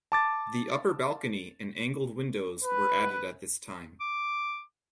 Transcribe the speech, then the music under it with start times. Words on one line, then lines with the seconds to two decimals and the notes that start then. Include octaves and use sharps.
The upper balcony and angled windows were added at this time.
0.12 A5 D6 A6
2.63 B4
4.01 D6